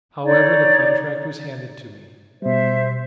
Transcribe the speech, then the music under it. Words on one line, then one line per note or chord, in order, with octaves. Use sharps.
However, the contract was handed to me.
D#4 C#5 D5
B2 G3 C5 E5